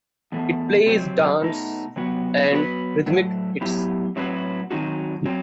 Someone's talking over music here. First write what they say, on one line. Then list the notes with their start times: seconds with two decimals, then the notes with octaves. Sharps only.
It plays Dance and Rhythmic Hits.
0.32 E2 B2 A3
0.86 C3 F#3 C4
1.42 B2 A3 D#4
1.96 C3 F#3 B3 F#4
2.52 F#3 B3 F#4 B4
3.06 A2 F#3 A3
3.61 A2 F#3 B3 E4 G4
4.16 A2 F#3 C4 F#4 B4
4.71 D#3 F#3 C4 D#4 F#4
5.26 F#3 C4